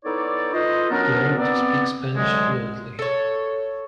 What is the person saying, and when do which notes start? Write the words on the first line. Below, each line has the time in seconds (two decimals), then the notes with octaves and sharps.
He learned to speak Spanish fluently.
0.05 B3 D#4 E4 A4 C#5 D5
0.54 D#4 F4 A4 B4 C5 D#5
0.91 F#3 B3 C#4 D4 A4 A#4
1.38 B3 C4 D5
2.15 D2 D3 F#3 G#3
2.99 A4 C#5